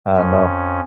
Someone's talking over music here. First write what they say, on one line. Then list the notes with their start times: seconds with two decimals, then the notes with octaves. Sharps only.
I know.
0.17 F2 C#4